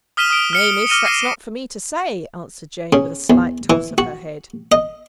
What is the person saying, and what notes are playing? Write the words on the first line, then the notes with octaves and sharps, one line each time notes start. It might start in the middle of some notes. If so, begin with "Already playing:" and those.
'Nay, miss, that's not for me to say,' answered Jane, with a slight toss of her head.
D#6 F6 B6 D#7 E7 G7
D#6 D7
F6 C#7 G7
D6 F6 A#6 D#7 E7
A#6 C7 D#7 E7 G7
C#3
E2
E3
F#4
D#5